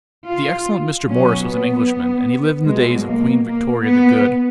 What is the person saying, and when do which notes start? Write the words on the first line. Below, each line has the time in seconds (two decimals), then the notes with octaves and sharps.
The excellent Mr. Morris was an Englishman, and he lived in the days of Queen Victoria the Good.
0.27 F4
1.07 B2 F#3 C#4
1.46 B3
2.65 B2 F#3 G#3
3.05 A#3
3.45 A#3
3.85 B3